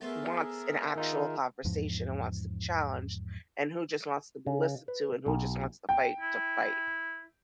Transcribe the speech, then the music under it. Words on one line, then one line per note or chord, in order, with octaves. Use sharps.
wants an actual conversation and wants to be challenged, and who just wants to be listened to and who just wants to fight to fight.
A3 B3 G#4 A#4 C5 E5
D#3 D#4 F4
E2 G#2 F3
C#3
B4
B1
G5
E4